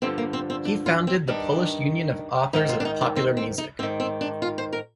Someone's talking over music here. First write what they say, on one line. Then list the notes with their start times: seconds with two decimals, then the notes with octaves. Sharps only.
He founded the Polish Union of Authors of Popular Music.
0.02 G2 D3 F3 C4
0.18 A#3
0.33 C4
0.50 C4
0.65 D4
0.86 F4
1.07 C4
1.28 G2 D#3 D4
2.53 G#2 D#3 D#4
2.69 F4
2.80 D4
2.85 D#4
3.01 D4
3.16 C4
3.37 C4
3.58 D#4
3.79 G#2 D#3 C4
4.00 C4
4.21 D4
4.42 F4
4.58 C5
4.73 A#4